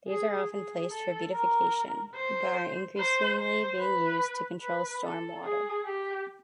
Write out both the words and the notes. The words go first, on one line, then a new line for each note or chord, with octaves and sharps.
These are often placed for beautification, but are increasingly being used to control stormwater.
G#4
G#4
A4
A#4
C5
C5
C5
B4
B4
A4
G#4
G4